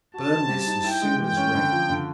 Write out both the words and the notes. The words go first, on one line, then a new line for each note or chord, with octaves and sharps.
Burn this as soon as read.
F#4 A5
C4
G3
D#4
E4 G5
G#3
E3 G5
C#4
D3
F3
D3